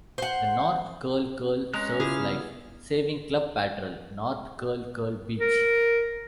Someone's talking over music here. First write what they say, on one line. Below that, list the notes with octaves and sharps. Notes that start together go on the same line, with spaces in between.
The North Curl Curl Surf Life Saving Club patrol North Curl Curl Beach.
C5 F#5
G#3 C#4 A#5 F#6
C#3 E4 F4 G4 G#4 F6
B3
A#4